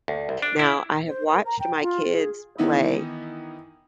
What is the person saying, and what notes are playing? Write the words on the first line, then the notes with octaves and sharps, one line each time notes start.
Now, I have watched my kids play,
D2
C2
D4
E4
C5
A#4
A#5
G5
F4
G#4
D#3 E3 B3 D#4 E4